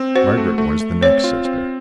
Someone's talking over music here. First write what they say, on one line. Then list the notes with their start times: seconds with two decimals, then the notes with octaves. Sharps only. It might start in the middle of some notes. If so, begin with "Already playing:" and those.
Margaret was the next sister.
Already playing: C4
0.15 F#4 C5
0.37 A3
0.58 A3
0.80 A3
1.02 C4 C#5
1.24 F4
1.45 C4